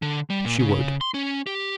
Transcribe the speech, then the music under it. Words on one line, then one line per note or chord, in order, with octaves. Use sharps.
She would.
D3
G3
A#2
C#3
C6
C#4
G4